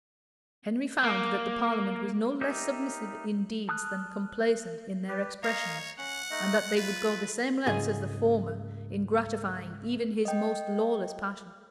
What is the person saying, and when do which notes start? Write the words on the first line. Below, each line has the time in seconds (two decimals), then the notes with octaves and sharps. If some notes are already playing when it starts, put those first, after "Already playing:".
Henry found that the parliament was no less submissive in deeds than complaisant in their expressions, and that they would go the same lengths as the former in gratifying even his most lawless passions.
1.03 A#3
2.41 D#4 G4 A#4 D5 E5
3.69 A5 D#6 F6 F#6
5.08 G4 B4
5.43 C#5 D#5 F5 A#5
5.98 C#4 F#5
6.31 A3 D#4 D#5
6.76 F4 B4
7.66 C#2 G#2 G#4 G#5
10.25 D#5 G5